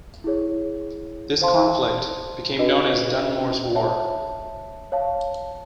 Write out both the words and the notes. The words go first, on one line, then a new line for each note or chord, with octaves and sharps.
This conflict became known as Dunmore's War.
E4 G#4 C#5
C5 F5 A5 C6
D4 F#4 B4 D#5
C#5 E5 A5
C#5 F5 A5